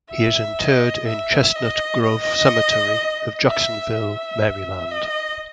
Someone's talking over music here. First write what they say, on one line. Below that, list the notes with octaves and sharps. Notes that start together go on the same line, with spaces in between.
He is interred in Chestnut Grove Cemetery of Jacksonville, Maryland.
E5
D#5
E5
D#5
D#5
E5
E5
D#5